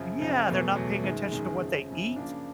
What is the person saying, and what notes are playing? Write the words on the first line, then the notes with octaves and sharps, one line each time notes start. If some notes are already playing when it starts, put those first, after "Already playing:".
Yeah, they're not paying attention to what they eat,
Already playing: F#2 C#3 F3
F#2 C#3 F3
E2 B2 F#3 A3
E2 B2 F#3 A3
F#2 D#3 G#3
F#2 D#3 G#3
F#2 C#3 F3
F#2 C#3 F3
C#3 F3 A#3 D4